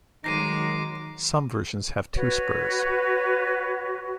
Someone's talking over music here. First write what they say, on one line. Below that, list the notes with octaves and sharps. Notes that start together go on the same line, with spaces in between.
Some versions have two spurs.
D#3 F#3 G#3 D#4 D6 A#6 C7 D#7
F#4 B4 C#5